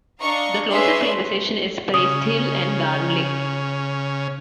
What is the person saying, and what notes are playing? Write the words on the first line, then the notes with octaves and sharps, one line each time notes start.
The closest railway station is Priesthill and Darnley.
D4 D#5 F5 A#5 C#6
C#4 D4 G#4 B4 E5 C6
C#3 C#4 D#6